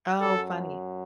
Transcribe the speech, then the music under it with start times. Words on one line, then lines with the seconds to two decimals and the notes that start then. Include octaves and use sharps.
Oh, funny.
0.21 F#2 A4